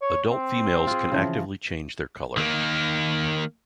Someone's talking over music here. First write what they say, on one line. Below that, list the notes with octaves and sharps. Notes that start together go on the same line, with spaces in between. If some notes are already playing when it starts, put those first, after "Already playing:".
Adult females can actively change their color.
C#5
C4
F4 G#4
C#3 E3 F3
D#3 A#3